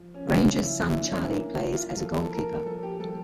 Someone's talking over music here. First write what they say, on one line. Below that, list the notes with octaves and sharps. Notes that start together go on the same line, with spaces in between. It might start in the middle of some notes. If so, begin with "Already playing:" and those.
Grainger's son Charlie plays as a goalkeeper.
Already playing: F3
C#4
C#3
F4
F3 E4
E4
A#2 D4
C#4
E3 A#3
E3
F4
F3 A4
A4
A#2 A#4
F3 A4
G4
F3 A4